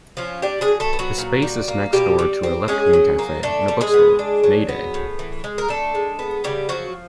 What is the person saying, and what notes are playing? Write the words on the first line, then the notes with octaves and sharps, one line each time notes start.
The space is next door to a left-wing cafe and bookstore, May Day.
F3 C#4 F4
G3 D4 G4
G#3 G#4
F#3
A3 A4
B3
F#3 F#4
A#2
G3
A#3
B2 G3 G4
G3
C4
G#3 C#4 G#4
F#3
A#3
A3 D4 A4
G3
G#3 G#4
B3
D4
F#3
B3
A2
E3
G#3
A#4
A3 D4 A4
G#3
B3
C#3 G3 G4
F3 F#3 F#4